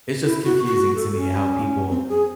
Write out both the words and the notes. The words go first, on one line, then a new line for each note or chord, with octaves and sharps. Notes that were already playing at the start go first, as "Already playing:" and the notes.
it's just confusing to me how people
E4
F#4
F#4
A4
C#4
C4
G#4